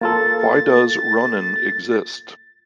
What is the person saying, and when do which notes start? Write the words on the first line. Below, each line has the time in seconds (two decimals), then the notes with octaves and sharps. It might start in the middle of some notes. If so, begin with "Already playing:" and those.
Why does Ronin exist?
0.01 A#3 F4 A4 A6